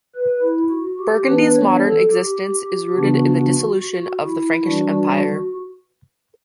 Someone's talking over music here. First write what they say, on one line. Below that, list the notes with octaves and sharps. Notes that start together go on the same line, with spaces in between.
Burgundy's modern existence is rooted in the dissolution of the Frankish Empire.
B4
E4
F#4
G4
E3 B3 D4 B4
C#5
A4
G4
C#3 E3 B3 D4 F#4
F#4
F#4
E4
E3 G3 D4 F#4